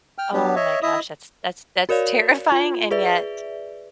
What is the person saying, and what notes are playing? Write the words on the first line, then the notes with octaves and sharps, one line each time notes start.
Oh my gosh, that's that's that's terrifying, and yet,
G5 F6
F#3 B3 D4 G4
C#5 D#5 E5
E4 D#5 E5 D#6
F#4 A#4 C#5 D5 F5
F4
G#4 B4 D5 E5